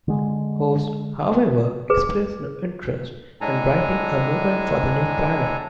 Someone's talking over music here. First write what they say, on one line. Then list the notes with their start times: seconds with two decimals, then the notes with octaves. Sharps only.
Holst, however, expressed no interest in writing a movement for the new planet.
0.08 D3 G#3
1.90 G#4 B4
3.41 A2 G#3 D4 A4 G#5 A#5